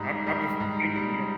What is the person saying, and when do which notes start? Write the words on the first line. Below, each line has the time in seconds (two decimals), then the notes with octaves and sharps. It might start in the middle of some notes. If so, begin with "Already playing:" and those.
I'm I'm just thinking, you know?
Already playing: G#2 G3
0.27 G3
0.60 G#2
0.96 G3